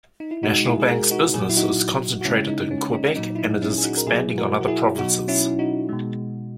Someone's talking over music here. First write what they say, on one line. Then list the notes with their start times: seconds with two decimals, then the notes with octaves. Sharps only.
National Bank's business is concentrated in Quebec, and it is expanding on other provinces.
0.20 D#4
0.31 E4
0.43 B2 G#3 D#4 F#4
0.66 E4 G#4
0.80 G#4
0.88 F#4 A#4
1.11 D#4 F#4
1.34 A#2 F#3 G#4
1.41 F#4
1.49 E4
1.57 D#4 F#4
2.21 F#4
2.25 C#3 G#3 C#4 E4
2.48 D#4
2.71 C#4
2.93 D#4
3.15 A#2 F#3 D#4
3.35 E4
3.39 D#4
3.62 C#4 E4
3.78 G#4
3.84 D#4 F#4
3.97 A#4
4.07 B2 F#3 E4 G#4
4.38 F#4 A#4
4.61 F#4
4.68 E4 G#4
4.98 B2 F#3 D#4 F#4
5.28 C#4 E4
5.59 D#4 F#4
5.89 B2 G#3